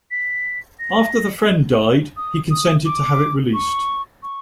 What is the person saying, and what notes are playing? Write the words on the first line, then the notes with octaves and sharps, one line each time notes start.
After the friend died he consented to have it released.
B6
A#6
D#6
D#6
D6
C#6
C#6